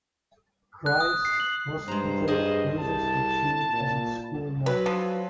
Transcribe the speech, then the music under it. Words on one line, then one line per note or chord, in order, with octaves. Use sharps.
Christ's Hospital uses the tune as its school march.
F#6
D#6
C7
F#7
G2 G#3 C5 A#5
G#4 C5 D#5
C2 A5
A#2
F#3 B4
F3